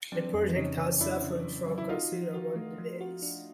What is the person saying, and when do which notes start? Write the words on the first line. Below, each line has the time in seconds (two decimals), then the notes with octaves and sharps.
The project has suffered from considerable delays.
0.12 F#3 C4 D4
0.34 F2
0.56 C#3 C#4 D#4
0.78 C#3
1.00 F2 D4 E4
1.23 C#3
1.44 C#3
1.67 F#3
1.78 E4
1.89 D#4 F4 F#4
2.12 F3
2.34 F#4
2.56 A3
2.78 F3
3.01 F#4
3.22 D4